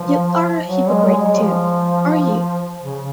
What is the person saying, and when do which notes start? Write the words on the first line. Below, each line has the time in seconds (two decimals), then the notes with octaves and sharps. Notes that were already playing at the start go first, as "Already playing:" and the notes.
You are a hypocrite, too, are you?
Already playing: F3
0.65 F#3
0.89 G#3
1.06 F#3
1.13 G#3
1.37 F3
2.81 C#3